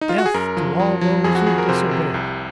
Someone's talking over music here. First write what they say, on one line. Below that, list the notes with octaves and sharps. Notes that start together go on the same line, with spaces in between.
Death to all those who disobey.'
D#4
F4
F#4
G#4
F#2 A#4
F3
F3
F3
F2 G#4
F#4
F2 G#4
A#4
C3 C5
C3
C2